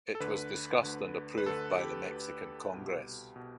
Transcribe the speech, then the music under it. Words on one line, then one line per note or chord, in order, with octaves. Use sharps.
It was discussed and approved by the Mexican Congress.
A4
D2 D3 B4
D2 D3
B4
D2 D3 A4
A4
G4
D2 D3
C2 B2
B2